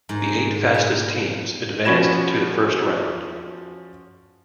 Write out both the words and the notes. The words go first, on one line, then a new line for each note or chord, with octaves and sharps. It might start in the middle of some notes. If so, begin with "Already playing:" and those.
The eight fastest teams advanced to the first round.
G#2
B4
F3 C#4 F#4 B5 G#6 E7